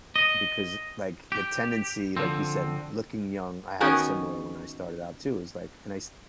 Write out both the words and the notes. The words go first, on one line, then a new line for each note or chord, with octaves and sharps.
Because like the tendency, like you said, looking young, I had similar when I started out too is like, and I s
D#5
G4
D3 F3 C4
D#3 B3 C#4 D#4 F#4 A#4